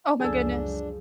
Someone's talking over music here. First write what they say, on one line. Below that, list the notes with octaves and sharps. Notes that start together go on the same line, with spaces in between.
Oh my goodness.
C#2 F#2 F3 D4 G#4 A4